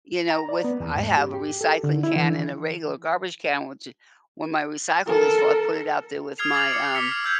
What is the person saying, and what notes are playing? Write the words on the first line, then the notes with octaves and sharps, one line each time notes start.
you know, with I have a recycling can and a regular garbage can, which it when my recycle gets full, I put it out there with my, um
A#5
D5
B3
E2
G#2
G4
G4
A4
D3
E4
E3
A4 A#4
D#6 F6 G#6 C7 F7
D6 G#6 A6 F7 F#7
D6 C#7
D6 F6 B6 C#7
F6
E6 G6 G#6